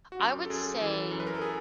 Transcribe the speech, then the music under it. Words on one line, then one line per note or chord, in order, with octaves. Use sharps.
I would say
F#4
F#2 G4
A4
F#2 G#4
E3 A4
F#2
B4
A#4
A4
G#4